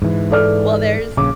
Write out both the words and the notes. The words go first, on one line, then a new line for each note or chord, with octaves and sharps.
Well, there's
G#2 E3
A4 D5 F6
A#1 C#3 D6